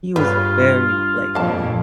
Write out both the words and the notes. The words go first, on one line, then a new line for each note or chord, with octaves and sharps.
he was very, like,
G2 F4 B4
F2 A#2 F5 A5